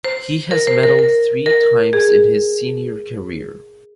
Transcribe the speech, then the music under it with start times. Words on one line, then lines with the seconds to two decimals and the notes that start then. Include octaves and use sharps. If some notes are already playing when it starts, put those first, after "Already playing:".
He has medalled three times in his senior career.
0.04 C5
0.51 A#4
0.67 C5
0.83 A#4
0.99 A#4
1.46 A#4
1.93 G#4